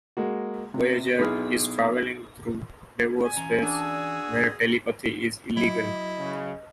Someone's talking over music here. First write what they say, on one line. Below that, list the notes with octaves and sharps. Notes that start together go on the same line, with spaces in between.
"Voyager" is travelling through Devore space, where telepathy is illegal.
G#3 A#3 F#4
C3
B1 B2 E4 G#4 D#6 F6
G#5
E3 C#4 A#5
D4 F#4 G#4 E6
F#3 E4 F#4 D#5
C#3